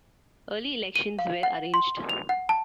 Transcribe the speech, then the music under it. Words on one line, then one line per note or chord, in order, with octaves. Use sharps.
Early elections were arranged.
D#7
F5
F#5
C6
F7
F#5
A5